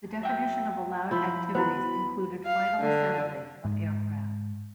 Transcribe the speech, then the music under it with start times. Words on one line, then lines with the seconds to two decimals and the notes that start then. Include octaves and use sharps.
The definition of allowed activities included final assembly of aircraft.
0.21 F#3 E5 G5
1.11 F3 E4 B5
1.55 B3 E4 F#4 C5 B5
2.45 F5
2.80 D3
3.65 G#2